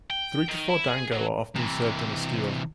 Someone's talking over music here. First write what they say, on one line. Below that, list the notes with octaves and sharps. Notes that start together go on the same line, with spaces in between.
Three to four "dango" are often served on a skewer.
G5
D#3
E4
G#4
F#3
C3 E3